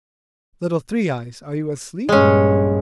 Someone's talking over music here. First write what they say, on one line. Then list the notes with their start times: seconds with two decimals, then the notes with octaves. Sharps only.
'Little Three-eyes, are you asleep?'
2.09 A#1 G2 G#3 C#4